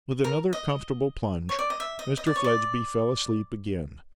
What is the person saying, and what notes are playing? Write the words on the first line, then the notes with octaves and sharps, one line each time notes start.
With another comfortable plunge, Mr Fledgeby fell asleep again.
A#4
D#5
C#5
D5
D#5
E5
D#5
D#5
D5
C#5
D5